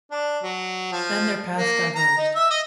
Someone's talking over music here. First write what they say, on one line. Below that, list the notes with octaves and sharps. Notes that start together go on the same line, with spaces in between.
Then their paths diverged.
D4
F#3
F3
A#3
A#5
D#4
E5
D#5